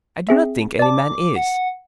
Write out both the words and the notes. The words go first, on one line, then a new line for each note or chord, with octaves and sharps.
I do not think any man is.
C4 G#4 E5
D5 A5 D6
F#5